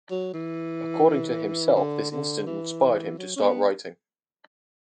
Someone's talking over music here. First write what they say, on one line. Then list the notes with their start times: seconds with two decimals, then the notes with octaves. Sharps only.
According to himself this incident inspired him to start writing.
0.10 F#3
0.33 E3
1.75 D3
2.11 D3
2.46 E3
3.18 F#3
3.36 C#4
3.41 B3